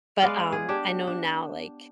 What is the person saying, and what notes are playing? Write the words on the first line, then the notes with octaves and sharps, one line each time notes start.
but, um, I know now, like
G#3 B3 D5 F5
G#4
D4 G4
D4